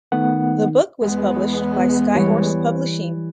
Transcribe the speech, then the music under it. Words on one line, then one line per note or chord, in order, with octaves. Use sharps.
The book was published by Skyhorse Publishing.
D#3 A3 B3 F#5
E2 G#3 B3
E3 G3 C#5